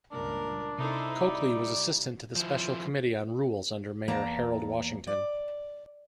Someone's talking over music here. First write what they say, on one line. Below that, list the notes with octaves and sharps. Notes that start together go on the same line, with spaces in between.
Cokely was assistant to the special committee on rules under Mayor Harold Washington.
C#2 G2 A#2 D4 A#4
C3 D#4 E4 A4 A#4 C5
G3 D5
F3 E4
E2 A#3 A5 A#5
D5